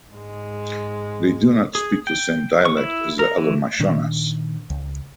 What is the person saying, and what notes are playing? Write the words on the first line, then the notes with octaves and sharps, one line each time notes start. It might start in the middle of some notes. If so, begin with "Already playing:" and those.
"They do not speak the same dialect as the other Mashonas".
G#2 G#3
G#4
G5
C#6
E4
A#4
E3
A#2 D#3 D4
C#2